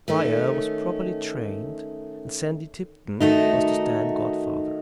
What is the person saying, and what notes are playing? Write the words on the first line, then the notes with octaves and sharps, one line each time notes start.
The choir was properly trained, and Sandy Tipton was to stand godfather.
D#3 A3 C#4
D#3 A3 D#4 F#4